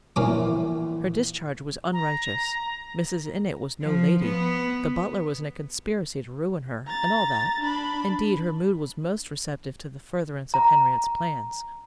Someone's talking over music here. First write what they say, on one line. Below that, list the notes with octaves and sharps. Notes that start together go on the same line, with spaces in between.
Her discharge was unrighteous; Mrs. Innitt was no lady; the butler was in a conspiracy to ruin her--and all that; indeed, her mood was most receptive to the furtherance of Henriette's plans.
A#1 A#2 E3 C#4 D6
A#5
F3
B3
A#5 A6
D4 B5
A#5